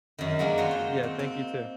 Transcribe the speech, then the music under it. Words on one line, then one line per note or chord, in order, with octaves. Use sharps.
Yeah, thank you, too.
F#2 D#3
F#3 G#3 A#3 D4
D#4 F4 F#4 C#5
C5
C4
C4